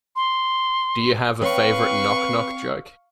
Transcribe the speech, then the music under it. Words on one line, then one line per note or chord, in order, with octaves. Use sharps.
Do you have a favourite knock knock joke?
C6
C4 B4 C#5 F5 G5 C#6